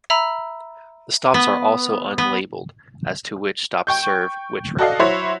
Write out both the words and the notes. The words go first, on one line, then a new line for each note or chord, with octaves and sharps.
The stops are also unlabelled as to which stop serves which route.
E5 A#5 B5 E6
B3
B3
G5 C#6 G6
F#4 A4 D5 D#5 F5
F#3 E4 F#4 C5 C#5